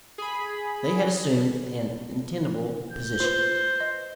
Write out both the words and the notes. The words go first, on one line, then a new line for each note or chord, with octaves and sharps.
They had assumed an untenable position.
G#4 B5
G6
F4 B4 C5
D#5